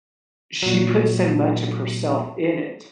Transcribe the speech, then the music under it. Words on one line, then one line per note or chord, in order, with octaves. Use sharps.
She put so much of herself in it,
A#2 F#3